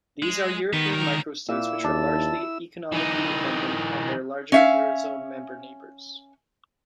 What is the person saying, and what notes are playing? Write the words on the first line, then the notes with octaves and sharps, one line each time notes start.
These are European microstates which are largely economically dependent on their larger Eurozone-member neighbours.
G#3
D#3 B3
C#2 A#4
A#2 A#3 E4 E6
D#2 D4 A5
E3 D#4
C#4 E5 F5